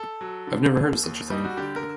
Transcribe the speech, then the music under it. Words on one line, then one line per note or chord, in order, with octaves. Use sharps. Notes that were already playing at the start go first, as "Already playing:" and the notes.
I've never heard of such a thing.
Already playing: A4
F#3
D3
D#2
D#2
G3 D#4
F#4
D3 G4
A#4